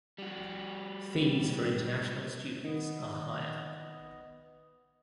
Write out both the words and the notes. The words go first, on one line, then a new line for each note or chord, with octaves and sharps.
Fees for international students are higher.
G3 F#4
D#3 B3 D#5